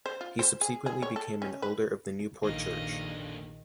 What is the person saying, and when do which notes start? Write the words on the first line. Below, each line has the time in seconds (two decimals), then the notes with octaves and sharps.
He subsequently became an elder of the Newport church.
0.06 C5
0.21 F4
0.39 C5
0.61 G#4
0.86 G#4
1.02 C#5
1.16 A4
1.42 C#4
1.62 B4
2.44 A#1 D3 D#3 A#3 D#5 F5